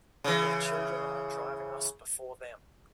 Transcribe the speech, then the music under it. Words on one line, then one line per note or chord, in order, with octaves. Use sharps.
Your children are driving us before them.
C#3 E3